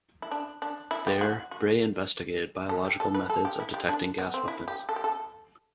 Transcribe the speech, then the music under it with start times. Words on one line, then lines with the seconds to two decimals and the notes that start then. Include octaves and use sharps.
There Bray investigated biological methods of detecting gas weapons.
0.22 E4
0.31 D4
0.62 D4
0.91 E4
1.07 G4
1.21 F#4
1.51 F#4
2.69 A4
2.85 G4
3.00 A4
3.15 B4
3.30 A4
3.45 G4
3.60 E4
3.74 G4
3.89 D4
4.18 B3
4.34 C4
4.48 E4
4.68 G4
4.89 A4
4.96 G4
5.04 A4